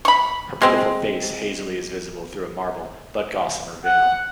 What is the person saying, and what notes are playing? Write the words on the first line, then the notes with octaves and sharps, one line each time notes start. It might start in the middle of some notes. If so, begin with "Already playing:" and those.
Her beautiful face hazily is visible through a marble but gossamer veil.
B5 C#6
G#3 C4
F#5